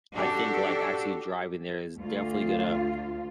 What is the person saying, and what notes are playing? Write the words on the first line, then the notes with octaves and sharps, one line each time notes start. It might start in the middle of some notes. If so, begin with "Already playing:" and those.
I think, like, actually driving there is definitely gonna
D4 F#4 G4 A4
D2 F4